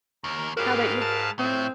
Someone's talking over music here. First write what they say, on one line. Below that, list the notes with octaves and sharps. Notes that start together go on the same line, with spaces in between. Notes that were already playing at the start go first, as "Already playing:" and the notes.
How about you?
D#2 A#4
G#2 F#4 G4 A#4 B4 F5
A5
A2 C4